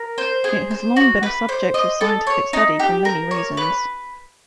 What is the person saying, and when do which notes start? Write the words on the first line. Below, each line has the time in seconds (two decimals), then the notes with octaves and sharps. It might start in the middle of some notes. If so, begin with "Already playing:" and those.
It has long been a subject of scientific study for many reasons.
Already playing: A#4
0.18 C5
0.44 G#4
0.71 C5
0.96 F#4
1.23 B4
1.49 C5
1.74 D#5
2.01 A4
2.27 C#5
2.53 D#4
2.80 G4
3.05 A#4
3.31 C#5
3.57 B4